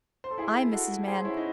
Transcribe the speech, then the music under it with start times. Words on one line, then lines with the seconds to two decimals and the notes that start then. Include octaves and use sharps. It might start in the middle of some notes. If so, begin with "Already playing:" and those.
'I, Mrs. Mann.
0.24 C5
0.31 A4
0.38 E4 G#4
0.72 F#4 A4
1.08 G#4 C5
1.24 C#4 E4
1.37 D#4